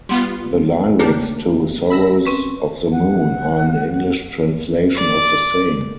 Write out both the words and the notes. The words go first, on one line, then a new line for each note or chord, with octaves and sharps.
The lyrics to "Sorrows of the Moon" are an English translation of the same.
G3 B3 F4 F#5 C6
C#3 A3 A#3 D4 G4 A#4
B5 E6 A#6
C4 C#4 B4
F#5
D5